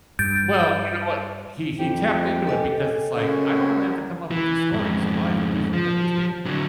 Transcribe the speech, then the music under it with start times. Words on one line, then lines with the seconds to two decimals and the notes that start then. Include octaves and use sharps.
Well, you know what? He he tapped into it because it's like, I don't really have to come up with these stories, all I have to do is read the newspaper.
0.19 G2 G6 A6 D7
1.79 F2 G4
2.47 A4 D#5 G#5
3.17 F#2 C#3
4.31 E3
4.72 F2 G#2
5.73 F3
6.46 D3 F#3